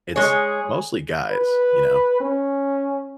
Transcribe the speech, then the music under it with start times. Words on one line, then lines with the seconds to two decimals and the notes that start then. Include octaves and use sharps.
it's mostly guys, you know,
0.16 G#3 G#4 C#5
1.31 B4
2.20 C#4